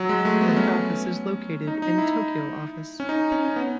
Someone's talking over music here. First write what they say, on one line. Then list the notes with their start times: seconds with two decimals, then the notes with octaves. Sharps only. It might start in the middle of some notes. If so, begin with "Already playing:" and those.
The head office is located in Tokyo Office.
Already playing: F#3
0.09 G#3
0.25 A3
0.41 B3
0.56 C#4
1.67 D#4
1.82 D#4
1.98 E4
3.00 C#4
3.09 D#4
3.32 C#4
3.45 C#4
3.56 B3